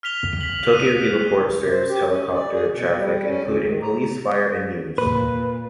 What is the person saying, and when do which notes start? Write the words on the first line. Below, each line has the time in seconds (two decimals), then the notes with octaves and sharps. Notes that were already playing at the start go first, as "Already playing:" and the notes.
Tokyo Heliport serves helicopter traffic, including police, fire, and news.
0.03 F6 B6 F7 G7
0.41 B6 F#7
0.73 D#6 F#6 C7 D#7
1.59 C3
1.70 C5
1.88 G4
2.08 C#4
2.33 D5
2.52 G#4
2.73 B2
2.95 G3
3.26 C#4
3.44 D2
3.66 D#3
3.82 A#5
4.98 A#2 B4